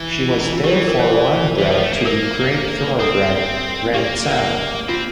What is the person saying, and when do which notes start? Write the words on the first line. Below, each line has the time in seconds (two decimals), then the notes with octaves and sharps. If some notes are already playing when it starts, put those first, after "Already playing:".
She was therefore linebred to the great Thoroughbred Rantzau.
Already playing: E3
0.28 F4
0.40 E4
0.52 F4
0.64 E3 G4
0.75 G4
0.88 A#4
1.00 C5
1.12 D5
1.20 C5
1.28 A#4
1.36 C5
1.58 E3
1.71 F3
1.82 A3
1.93 A#3
2.05 A#3 A#4
2.99 C4 A4
3.94 A#3 G4
4.89 C4 F4